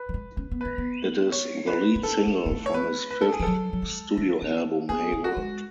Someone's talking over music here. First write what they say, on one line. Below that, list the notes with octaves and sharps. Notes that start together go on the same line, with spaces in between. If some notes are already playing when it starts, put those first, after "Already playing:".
It is the lead single from his fifth studio album "Hey World".
Already playing: B4
F#3
G#3
C#4
B3
A3 B4
B3
C#5
B4
B3
C#4 A4
C#4
B3
A3
C#5
B4
B4
A4
G#4
E3
F#3 A4
F#3
G#3
A3
B3
B3 G#4
A3
F#4
G#3